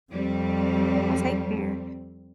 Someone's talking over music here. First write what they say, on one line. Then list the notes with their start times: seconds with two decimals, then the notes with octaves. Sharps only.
Well take care,
0.12 F2 G3 C4